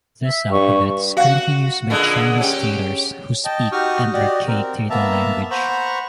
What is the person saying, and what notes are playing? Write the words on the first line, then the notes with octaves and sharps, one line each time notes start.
This alphabet is currently used by Chinese Tatars, who speak an archaic Tatar language.
E5
G2 C#6
F#4 F5 F#5
A#2 D3 G#3
C#4 G4
D#5 G5 A5
D#4 F#4 G4 C#6 D#6 F6
F#4 G4 D5 D#5
C4 A#4
A#3 B3 E5 A5 A#5
C5 F#5 A#5 B5 C#6